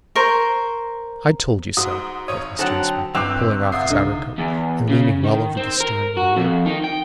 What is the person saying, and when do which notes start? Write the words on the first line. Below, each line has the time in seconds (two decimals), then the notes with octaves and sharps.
'I told you so,' quoth Mr Inspector, pulling off his outer coat, and leaning well over the stern with a will.
0.16 A#4 C5 C#6
1.77 G#2 F#4 D#6
2.28 G#1 C#5 D#6
2.59 D3 F#3 C4 F#5 G5 A5
3.15 G1 C4 E4 G5 D6 E6 F#6 F7
3.72 C#2 E5 F#5 D#6 C7
3.89 C2 D3 D#4
4.38 E2
4.90 C#3
5.24 D#3
5.57 C4
5.81 A#4
6.17 F#4
6.36 F2
6.66 D#3
6.84 G5